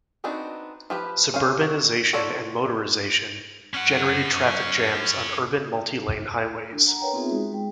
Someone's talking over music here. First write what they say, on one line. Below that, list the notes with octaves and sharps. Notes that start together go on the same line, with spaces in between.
Suburbanization and motorization generated traffic jams on urban multi-lane highways.
B3 C4 D4 D#4 F#4
F3 G4 B4
C#4 C5 F5
F#4
F4 F#4 A4 C#5 D5
C#4 F#5
D4
F#5 A#5
A#4 B4 C#5 G5 A#5
B3 C4 D#4 F4 G#4 E5
G#3 D#4 F#4 G#4
G#3 G5